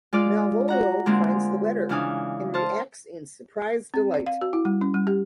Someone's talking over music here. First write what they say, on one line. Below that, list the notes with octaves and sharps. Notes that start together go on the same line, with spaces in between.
Malvolio finds the letter and reacts in surprised delight.
G#3 F4 D5 F6
F#4 F#5 A#5
D3 G#3 A#3 C4 F4 G#4
C#3 E3 D4 F5 G#5 D#6
C5 A5 F6
C4
D5
F5
F#4
E4
G3
C#4
G3
G4